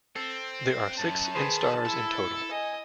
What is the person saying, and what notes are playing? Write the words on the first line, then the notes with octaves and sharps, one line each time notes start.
There are six instars in total.
C4 A4
F#2 A5
D#3 G#4 B4 C5
E4 A4
D#5 G#5